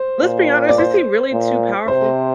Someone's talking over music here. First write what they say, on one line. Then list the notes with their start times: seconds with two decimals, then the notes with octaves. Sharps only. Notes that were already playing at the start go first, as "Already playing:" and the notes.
let's be honest is he really too powerful?
Already playing: C5
0.22 A#2
0.69 D5
0.78 C5
1.33 A#2
1.88 C3 C5